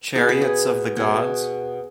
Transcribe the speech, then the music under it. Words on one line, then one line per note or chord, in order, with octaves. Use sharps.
Chariots of the Gods?
B2 B3 G#4
B4
G#4
B2 B3 G#4